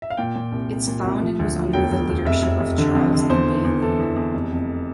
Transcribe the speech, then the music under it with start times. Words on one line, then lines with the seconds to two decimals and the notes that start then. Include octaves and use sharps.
Its founding was under the leadership of Charles E. Bailey.
0.02 E5
0.10 F5
0.17 A#2 G5
0.36 A#2
0.52 C2
0.71 C2
0.88 A#2
1.04 C2
1.22 F3
1.39 D2
1.57 F3
1.73 E1 G5
1.92 E1
2.09 E1
2.25 F1 E5
2.43 F1
2.60 F1
2.78 D3
2.95 F2
3.13 D3
3.30 E2 C5
3.48 E3
3.65 E2
3.82 E3 A4
4.00 E2
4.16 E2
4.34 F1
4.52 F2